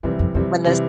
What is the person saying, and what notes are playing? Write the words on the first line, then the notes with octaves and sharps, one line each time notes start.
When those
F2 C3 E3 G3
F2
F2 C3 E3 G3
C3 E3 G3